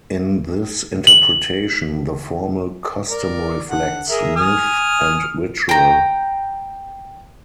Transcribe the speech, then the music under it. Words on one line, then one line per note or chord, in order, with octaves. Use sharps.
In this interpretation, the formal custom reflects myth and ritual.
F#7
A#4 D5
D3 F#5
G#4 A#4 E5
G#5 D#6 F6
G5 A#5